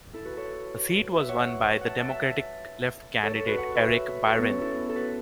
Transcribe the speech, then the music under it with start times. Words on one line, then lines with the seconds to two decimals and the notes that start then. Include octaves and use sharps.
The seat was won by the Democratic Left candidate Eric Byrne.
0.13 E4 A4
0.25 F#4 B4
0.37 A4 C#5
1.17 B4 E5
1.28 C#5 F#5
1.40 C#5 F#5
1.81 E5 F#5 A5
1.97 E5 A5
2.09 E5 A5
3.23 A4 C#5
3.35 A4 C#5
3.46 F#4 B4
3.57 C#5 F#5
3.75 B4 E5
4.27 A4 C#5
4.39 B3
4.50 C#4
4.61 E4 A4
4.89 A4
4.95 F#4 B4